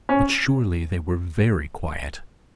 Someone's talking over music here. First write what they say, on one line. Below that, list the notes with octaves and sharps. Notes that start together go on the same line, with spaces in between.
But surely they were very quiet!
C#4